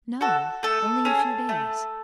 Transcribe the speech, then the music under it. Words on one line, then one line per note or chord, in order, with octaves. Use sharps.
"No; only a few days."
F#4 A4
A3 A4
C#4 G#4
A3